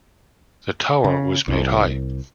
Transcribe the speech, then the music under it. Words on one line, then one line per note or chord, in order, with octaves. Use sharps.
The tower was made high.
C#3
C2